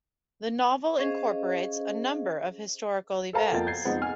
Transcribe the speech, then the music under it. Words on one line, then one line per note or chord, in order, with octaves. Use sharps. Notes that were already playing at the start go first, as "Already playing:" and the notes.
The novel incorporates a number of historical events.
C#4 G#4 C5 D#5 F5
A4 A#4 C5 F5 A5 A#5
F2 F3 A#3 B3 G5 A6
G6 G#6 C7
F2 F3 G#3 B3 C4 D#4
G#5 F6